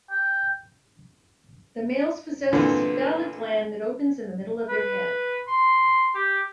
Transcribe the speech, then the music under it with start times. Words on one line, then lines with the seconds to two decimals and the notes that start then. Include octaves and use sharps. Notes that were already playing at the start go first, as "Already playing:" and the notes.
The males possess a cephalic gland that opens in the middle of their head.
0.10 G5
2.53 A#2 D3 E3 B3 C4
4.68 B4
5.48 C6
6.15 G4